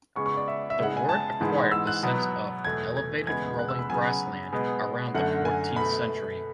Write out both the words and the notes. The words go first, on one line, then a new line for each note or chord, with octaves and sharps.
The word acquired the sense of 'elevated rolling grassland' around the fourteenth century.
C#3 G#3 B3 C#6
C#6
D5
E5
E5
C#3 G#3 B3 F#5
G#5
A5
G#2 E3 G#3 B3
E6
F#6
B2 F#3 B3
E2 B2 A3 G#6
G#6
E2 C#3 G#3 B3 G#6
F#6
E6
B5
C#3 F#3 B3 G#5
B2 G#3 B3
F#2 D3 A3 F#5
G#5
B2 A3 B5